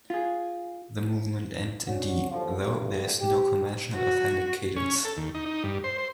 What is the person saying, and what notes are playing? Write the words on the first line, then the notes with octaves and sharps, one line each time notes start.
The movement ends in D, though there is no conventional authentic cadence.
F4 G#4
C#4 D4 F#4
D#2 D3 F3
G#1 D2 G2 C3
G4
F#4
C#4
A4
D#2
D#4
D#4
G2
C5
C5